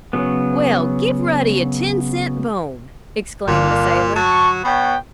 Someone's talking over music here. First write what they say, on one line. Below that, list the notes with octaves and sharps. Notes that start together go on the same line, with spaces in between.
"Well, give Ruddy a ten cent bone!" exclaimed the sailor.
C#3 F#3 B3
G1 A#2 D3 D4 F5
F#3 A5 C#6
B2 B3 C#5 G5